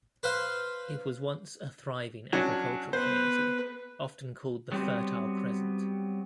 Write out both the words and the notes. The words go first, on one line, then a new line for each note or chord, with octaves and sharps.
It was once a thriving agricultural community, often called the "fertile crescent".
B4 C5 F5
F#3 C#4 D4
B3 B4 C5
F#3 G3 B3 C4 F#4